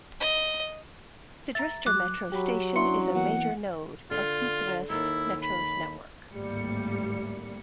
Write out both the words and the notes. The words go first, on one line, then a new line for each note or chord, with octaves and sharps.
The Dristor metro station is a major node of Bucharest Metro's network.
D#5
E5 A#5 A6
F#3 D6 F#6
F#3 G4 B5
C#4 D4 E4 C6 C#7
E3 A#3 B3 F#5
D3 F4
D#2 E4
B5
G#1 D2 A2 G3 A#3 C#7